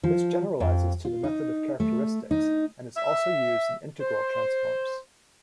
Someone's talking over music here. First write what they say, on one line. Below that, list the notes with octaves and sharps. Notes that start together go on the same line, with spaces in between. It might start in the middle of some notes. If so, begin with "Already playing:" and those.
This generalizes to the method of characteristics, and is also used in integral transforms.
F3
F2
F4
D#4
A3
D#4
E5
C5